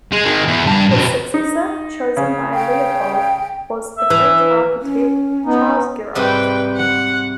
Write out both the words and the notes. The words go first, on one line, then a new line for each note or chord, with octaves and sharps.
His successor, chosen by Leopold, was the French architect Charles Girault.
G#3
D#3 G#3
E2
G2 A5
F2 B2
D#4
C#3
G5
E5
E3
C#4
B3 D#4
G#2 C3 G3 B4 G5
F#5